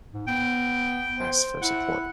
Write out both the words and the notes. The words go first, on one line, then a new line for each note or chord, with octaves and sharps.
ask for support."
G#2
B3 G5
C5
E4 F#5